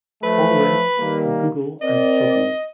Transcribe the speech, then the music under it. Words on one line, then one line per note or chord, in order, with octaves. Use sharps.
Following are Google and Sogou.
F3 A3 B4
D#3 G3 A#3
C4 A#4 D5 D#5